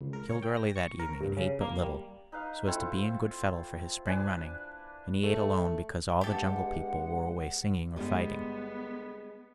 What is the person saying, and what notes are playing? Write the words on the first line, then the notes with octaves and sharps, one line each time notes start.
He killed early that evening and ate but little, so as to be in good fettle for his spring running, and he ate alone because all the Jungle People were away singing or fighting.
C#2
A#4
C#5
G5
A#6
C#6
A#4
G2
C#3
A#3
G3
D#4 B4 F5
A3 C4 E4 F4
D4 B4 G#5 D6
A3
G2 G#3 B3 G4 A4 F#5
G1 G3 G#3 B3